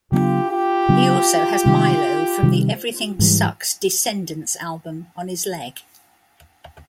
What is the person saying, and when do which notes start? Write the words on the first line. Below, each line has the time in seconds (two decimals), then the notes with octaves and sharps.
He also has Milo from the "Everything Sucks" Descendants album on his leg.
0.12 C#3 F#3 B3 D4 F4 G4
0.50 F4 G4
0.89 C#3 F#3 B3 D4
1.66 C3 D#3 G3
2.43 C3 D#3 G3
3.19 G#2 E3 G3